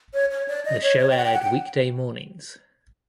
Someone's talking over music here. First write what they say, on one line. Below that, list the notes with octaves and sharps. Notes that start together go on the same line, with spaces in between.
The show aired weekday mornings.
C#5
C#5
D5
D#5
C#5
C#5
G5
F#5
G5
F#5
G5